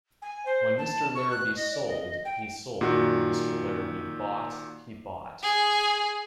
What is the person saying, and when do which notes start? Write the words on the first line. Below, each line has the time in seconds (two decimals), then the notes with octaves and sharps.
When Mr. Larrabee sold, he sold and when Mr. Larrabee bought, he bought.
0.21 G#5
0.45 C5
0.77 A5
1.14 C#6
1.29 F#6
1.55 D#5
1.71 D5
1.88 D#5
2.24 G5
2.81 A#2 D#3 F#4
5.43 G#4